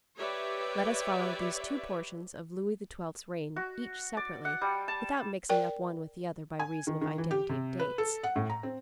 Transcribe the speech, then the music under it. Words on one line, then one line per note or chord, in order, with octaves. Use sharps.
Let us follow these two portions of Louis XII.'s reign, each separately, without mixing up one with the other by reason of identity of dates.
G4 B4 C#5 D5 E5
F#4
D5
F#5
G3
A5
A#4 D5 G5
G#5
D#3
D#3
E3
G4
C3
B4
A4
F#5
A2
A#5
C4